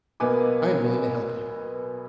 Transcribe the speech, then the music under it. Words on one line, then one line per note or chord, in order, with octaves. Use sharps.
I am willing to help you.
B1 A#3 B3 B4 G#5 D6